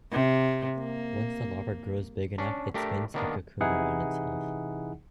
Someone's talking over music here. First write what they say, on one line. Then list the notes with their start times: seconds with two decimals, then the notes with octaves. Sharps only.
Once the larva grows big enough it spins a cocoon around itself.
0.12 C3
0.79 A#3
2.38 C#4 D4
2.74 A3 D4 G4 A#4
3.14 D#3 A#3 B3 D4
3.60 C3 E3 D#4 E4 G#4 F#5